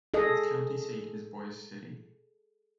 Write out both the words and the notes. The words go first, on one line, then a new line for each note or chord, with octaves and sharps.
Its county seat is Boise City.
G#4 A4 D#5